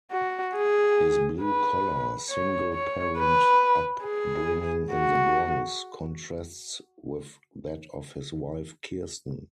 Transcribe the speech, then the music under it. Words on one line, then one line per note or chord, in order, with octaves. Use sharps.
His blue-collar, single-parent upbringing in The Bronx contrasts with that of his wife Kirsten.
F#4
G#4
B4
C#5
C#5
B4
G#4
F#4